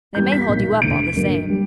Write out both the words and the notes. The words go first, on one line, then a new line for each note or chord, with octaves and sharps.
They may hold you up all the same.
F#2 E3 G3 B3 G6
B6
B1 A#2 A#3
E1 D2 D3 D7
G1 G2 F#3 A#3
G3